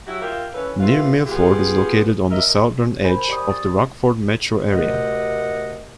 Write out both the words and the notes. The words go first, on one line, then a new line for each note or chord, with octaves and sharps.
New Milford is located on the southern edge of the Rockford metro area.
F#3 E4 F#4 G4
F4 G4 A#4 E5 F5
E3 C#4 A4 B4
D#2 A3 F4 B4 F5
G3 B3 F4 G4 G#4
A#4 D#5 E5
A#4 C5 G#5 B5 G6
G4 D5 C#6 D#6
A6
D2 C3 A3 A#4 D#5 F#5